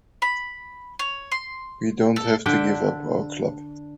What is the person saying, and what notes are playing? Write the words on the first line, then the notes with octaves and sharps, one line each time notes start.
We don't have to give up our club.
B5
C#5
C6
A4
D3 D4 E5 G5